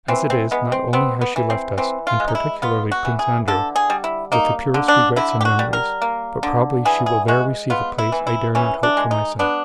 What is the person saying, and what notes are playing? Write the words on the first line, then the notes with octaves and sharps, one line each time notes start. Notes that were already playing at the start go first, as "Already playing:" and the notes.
As it is, not only has she left us, and particularly Prince Andrew, with the purest regrets and memories, but probably she will there receive a place I dare not hope for myself.
E3 C4
C4
G#3 B3
C4
B3 C4
B3
E3
C4
E3 C4
F4
G#3
D#4
E4
B3 F4
F#4
E3
G#4
D3 A4
G#4
G3
E4
A#3 D#4
D3
D4
D3 E4
G4
F#4
G3
A#4
A#3
D3
E3 G#4
G#4
G#3 F#4
B3 F4
E4
E3
E4
E3 C#4
D4
G#3
D#4
B3 D4